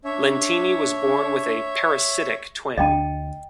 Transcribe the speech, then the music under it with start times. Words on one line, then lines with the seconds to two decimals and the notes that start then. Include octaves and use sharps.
Lentini was born with a parasitic twin.
0.04 D4 C#5 E5
2.77 D2 G3 D4 D#5 G5 A5